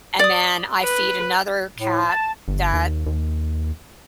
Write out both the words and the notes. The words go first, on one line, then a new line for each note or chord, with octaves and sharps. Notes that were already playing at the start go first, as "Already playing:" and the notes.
And then, I feed another cat that
D5 D#6
B4
A2
A5
G1
D#2
D#2